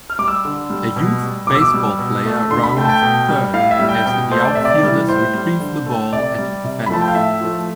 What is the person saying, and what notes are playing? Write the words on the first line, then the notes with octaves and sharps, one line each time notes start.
A youth baseball player rounds third as the outfielders retrieve the ball at the fence.
F6
G3 D6
E6
D3
G3
B2
G3
B2 D6
E6
D6
G3
B2
A3
D3 C6
B5
A3 G5
A5
G5
B2
G3
A2 F5
E5
G3
G5
B2 G5
A3 C5
D5
C3 E5
D5
E3 G3
A2 C5
G3
D3
A3
C3 D5
G3
C3
B5
F3 A3 A5
G5
F5
A2 E5
F3 A3